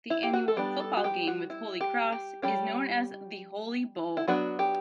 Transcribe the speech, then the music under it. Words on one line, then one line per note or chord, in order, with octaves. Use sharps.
The annual football game with Holy Cross is known as The Holy Bowl.
E4
G4
F#4
A4
G3 B3 D4 G4
A4
F#4
G4
F#4
E4
G4
G4
G3 C#4 G4
E4
F#3 B3 D4 F#4
G4